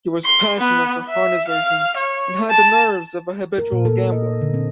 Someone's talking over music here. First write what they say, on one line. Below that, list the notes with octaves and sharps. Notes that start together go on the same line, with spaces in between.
He was passionate for harness racing and had the nerves of a habitual gambler.
C6
B3
E5
F5
C#5
A5
A#4
A#2
A4
D#5
D3
C4